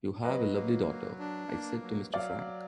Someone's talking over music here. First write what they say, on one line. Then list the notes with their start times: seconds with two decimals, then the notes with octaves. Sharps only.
'You have a lovely daughter', I said to Mr. Frank.
0.24 F#3 B4 D#5
0.56 A#3
0.88 F#3
1.19 D4
1.51 A#3
1.82 F#3
2.14 F#3 D5 F5